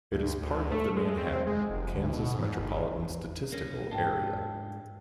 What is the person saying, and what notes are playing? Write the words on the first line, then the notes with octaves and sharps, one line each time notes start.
It is part of the Manhattan, Kansas Metropolitan Statistical Area.
D2
D2
A3
G#3
C4
G#3
F1
D2
B2
G#2
G#1
A#3 C#4 A#4 A#6
G#2 D4 F4 G5 A5